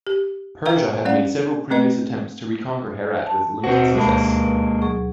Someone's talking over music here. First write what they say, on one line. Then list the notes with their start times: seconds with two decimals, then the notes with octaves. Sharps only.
Persia had made several previous attempts to reconquer Herat with limited success.
0.07 G4
0.66 B4 E5 F5 G5 A#5
1.05 G3 C#4 D5 F5 F#5
1.71 A3 C4 B4 D#5
3.26 A5
3.64 D#2 B2 C4 F#4 C5
3.95 D2 G#3 A#3 A5 B5
4.82 F#3 G#4 C#6